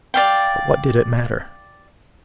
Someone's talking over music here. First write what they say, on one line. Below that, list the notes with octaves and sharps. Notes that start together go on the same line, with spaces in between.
But what did it matter?
D5 F5 G5